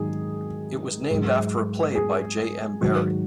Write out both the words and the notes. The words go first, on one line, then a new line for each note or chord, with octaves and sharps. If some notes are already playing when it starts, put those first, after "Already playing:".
It was named after a play by J. M. Barrie.
Already playing: G#2 D#3 F#3 G#4
G#2 F#3
G#4
G#2 D#3 F#3 F#4